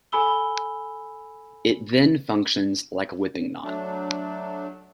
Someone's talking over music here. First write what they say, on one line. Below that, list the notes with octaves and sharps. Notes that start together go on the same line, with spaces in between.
It then functions like a whipping knot.
A4 G#5 B5 E6 G7
F#3 A3 D4